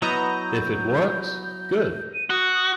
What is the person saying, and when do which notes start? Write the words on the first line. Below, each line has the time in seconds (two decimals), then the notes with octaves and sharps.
If it works - good.
0.02 F#3 B3 E4 D#5 A#5 G6
2.14 D#7
2.30 F#4 D#6